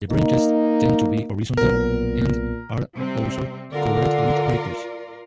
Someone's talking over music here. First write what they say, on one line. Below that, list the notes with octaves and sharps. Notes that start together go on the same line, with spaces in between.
The branches tend to be horizontal and are also covered with prickles.
A#3 D#4
B1 A#2 B3 A#4
C3 G3 C4
D3 F4 A#4 D5